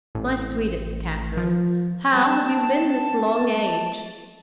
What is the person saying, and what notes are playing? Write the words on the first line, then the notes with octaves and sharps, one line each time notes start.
My sweetest Catherine, how have you been this long age?
A1
F3
G3 C4 A5